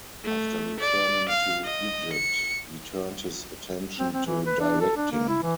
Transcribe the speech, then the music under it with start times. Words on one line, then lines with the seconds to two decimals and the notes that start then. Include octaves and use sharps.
After returning to Egypt, he turned his attention to directing.
0.24 A3
0.80 D5
1.29 F5
1.64 D#5
2.13 C#7
3.99 C4
4.14 C4
4.26 E3
4.46 B4
4.61 D4
4.81 A4
4.97 D4
5.11 A#3
5.29 E4
5.43 E3